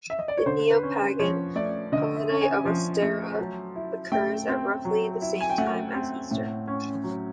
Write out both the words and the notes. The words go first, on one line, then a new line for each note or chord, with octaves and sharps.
The Neo-Pagan holiday of Ostara occurs at roughly the same time as Easter.
E5
D#5
D5
C#5
D3 C5
B4
C#4
F3 C#5
A3 D5
D3 D#5
E5
C#4
G#5
F3
A3
F#3
E4
A3 G5
C4
F#3
E4
G#5
G5
A3 F#5
C4
A2
C#4
F#3